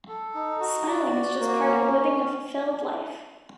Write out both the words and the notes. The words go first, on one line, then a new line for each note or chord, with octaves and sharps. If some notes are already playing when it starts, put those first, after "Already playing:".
Smiling is just part of living a fulfilled life.
A4
D#4
F#4
D5
F#4
A#3
C#4